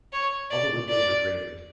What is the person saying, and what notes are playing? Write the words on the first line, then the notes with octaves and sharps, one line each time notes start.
All the windows were grated.
C#5
D5
D5